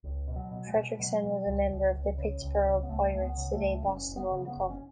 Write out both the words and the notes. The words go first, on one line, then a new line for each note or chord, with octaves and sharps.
Fredrickson was a member of the Pittsburgh Pirates the day Boston won the Cup.
C#2
B2
F#3
B2
G#3
B2
B2 F#3
B2
C#2
C#2
C#2
C#3
C#2
C#3
B3
C#2 A3
C#2 A3
B3
C#3
A3
C#2
F#1 C#4
F#1
B3
C#3
B3
F#1
C#4